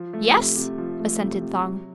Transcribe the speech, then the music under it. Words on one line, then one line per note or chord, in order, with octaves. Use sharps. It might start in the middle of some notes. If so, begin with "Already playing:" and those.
"Yes," assented Thong.
Already playing: F3
A3
C3
C3
F3
A3
C3
C3
F#3